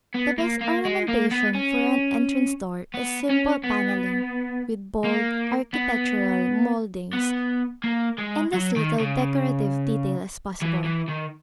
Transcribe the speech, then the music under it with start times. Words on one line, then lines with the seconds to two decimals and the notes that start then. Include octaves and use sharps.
The best ornamentation for an entrance-door is simple panelling, with bold architectural mouldings and as little decorative detail as possible.
0.15 B3
0.38 A#3
0.61 A#3
0.85 G#3
1.08 A#3
1.31 B3
1.55 C#4
2.94 B3
3.30 C#4
3.64 B3
5.04 A#3
5.73 B3
7.13 B3
7.84 A#3
8.18 G#3
8.54 F#3
8.76 D#3
9.00 C#3
10.62 E3
10.85 E3
11.09 D#3